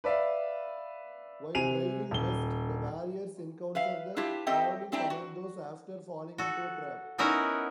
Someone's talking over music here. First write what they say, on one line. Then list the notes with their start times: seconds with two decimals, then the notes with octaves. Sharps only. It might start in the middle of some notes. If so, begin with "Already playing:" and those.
While driving West, the Warriors encounter the Howling Commandos after falling into a trap.
0.04 B4 D5 E5 F5
1.55 C3 G#5 D#7 F7
2.11 D#1 G7
3.75 B4 E5 F5
4.16 D4 E4 F4 G4
4.47 C4 G4 A4 D#5 E5 G5
4.92 G3 C4 D4 E4 G5 A#5
5.10 F#4
6.38 F#4 A4
7.18 B3 C#4 D#4 E4 F#4 A#4